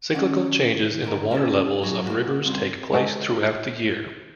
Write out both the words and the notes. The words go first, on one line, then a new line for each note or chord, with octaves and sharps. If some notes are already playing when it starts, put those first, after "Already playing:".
Cyclical changes in the water levels of rivers take place throughout the year.
D#3 C#4 F#5
G#2 D3 A#4
A#3 C#4 F4 F#4 A4
F#2 F#3 F#4
A#3 F#4
C2 G2 C4
G#3 F#4 A4 D#5